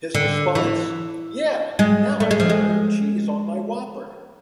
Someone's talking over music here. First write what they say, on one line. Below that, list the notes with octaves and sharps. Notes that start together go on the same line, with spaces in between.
His response: "Yeah, now I can order cheese on my Whopper".
D3
E3
G#3
A3
G#3
F3
G#3